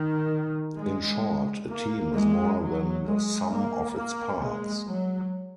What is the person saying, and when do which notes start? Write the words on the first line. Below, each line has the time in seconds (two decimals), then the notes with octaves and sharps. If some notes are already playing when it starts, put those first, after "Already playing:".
In short, a team is more than the sum of its parts.
Already playing: D#3
0.78 G#3
1.69 A#3
2.14 G#3
2.60 F#3
3.05 G#3
3.51 A#3
3.96 A#3
4.42 G#3
4.87 F#3